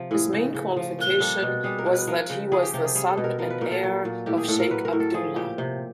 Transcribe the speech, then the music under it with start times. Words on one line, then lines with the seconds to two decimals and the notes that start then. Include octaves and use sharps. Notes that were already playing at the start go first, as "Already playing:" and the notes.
His main qualification was that he was the son and heir of Sheikh Abdullah.
Already playing: C3 F3
0.11 A2 G#4
0.33 C#3
0.55 C#3
0.77 F3
0.99 A#2
1.20 G3 A4
1.42 B2
1.64 G3 G#4
1.78 A#4
1.86 B2
1.93 B4
2.07 F3 A#4
2.30 C#3
2.52 F3 G#4
2.63 G4
2.74 C3 G4
2.84 G#4
2.95 G3 G#4
3.10 A4
3.17 B2
3.24 A#4
3.39 F3 A#4
3.50 B4
3.61 A#2 A#4
3.72 A4
3.83 F#3
4.05 A#2
4.26 A2 G4
4.37 G#4
4.48 A2 A4
4.60 A#4
4.71 F#3 B4
4.85 A#4
4.93 A2
5.00 A4
5.14 F3 G#4
5.36 A#2 G4
5.58 C3